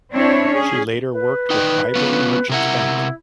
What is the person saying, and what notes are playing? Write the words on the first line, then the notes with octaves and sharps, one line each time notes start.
She later worked with Ivory Merchant Bank.
C4 D4 E4 C#5
C#4 G#4
B4
D#4 D5 G5
B3 C#4 F4
C3 E4 A#4 F#5